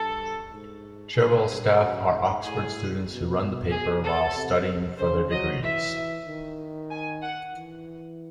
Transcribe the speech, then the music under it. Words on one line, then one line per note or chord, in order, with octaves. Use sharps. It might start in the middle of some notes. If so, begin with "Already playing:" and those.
"Cherwell" staff are Oxford students who run the paper while studying for their degrees.
Already playing: G2 A4
G#2
G#2 G#4
G2
F#2
G#2
A2 G#4
B2
G#4
A4
C3
C#3 C5
F#3 D#5
E3 E5
D#3
G#5
F#5
E3